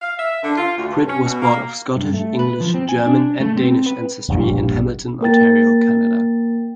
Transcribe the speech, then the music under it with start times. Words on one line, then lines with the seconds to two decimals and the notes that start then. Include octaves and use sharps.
Frid was born of Scottish, English, German and Danish ancestry in Hamilton, Ontario, Canada.
0.02 F5
0.19 E5
0.42 D3
0.58 F4
0.77 D2
0.91 G2
1.07 C#4
1.25 B2
1.42 A#3
1.97 G2
2.14 A3
2.39 B4
2.61 F3
2.74 C4
2.89 G#5
3.06 D4
3.41 A3
3.57 C4
3.86 B4
4.29 E1 A#1 G2
5.21 A#3 A#4 G5 A6